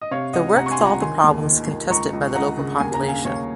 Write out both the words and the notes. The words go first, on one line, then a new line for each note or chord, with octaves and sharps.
The work solved the problems contested by the local population.
D#5
C3 C#5 F5
C#2 D#5 F#5
C3 F#5 A#5
C#6
G#5 C6
C#2
F#5 A#5
D#3 G#5 C6
D#2
D#3
D#2
C#2 A#5 C#6
C#2
C#2 F#5 A#5
C#3
D#2 G#5
A#5
C#3
F5 G#5
D#2 C#5 F5